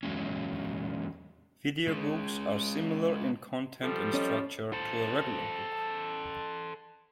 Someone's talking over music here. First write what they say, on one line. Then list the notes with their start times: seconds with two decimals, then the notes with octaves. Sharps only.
Video books are similar in content and structure to a "regular" book.
0.03 E2 F#3 G#3 C#4
1.88 G#3 C#4
3.81 F3 G3 A4
4.14 C#4 D#5
4.73 A4 C5